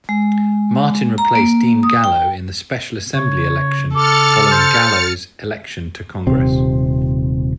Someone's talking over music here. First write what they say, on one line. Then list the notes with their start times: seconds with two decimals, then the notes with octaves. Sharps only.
Martin replaced Dean Gallo in a special Assembly election following Gallo's election to Congress.
0.09 G#3
1.18 A#5
1.35 A#3
1.83 D#6
2.04 G5
3.15 C#3 C#5
3.95 A4 D6 F6 A6 C#7
4.51 C5
6.27 D#1 C3 C4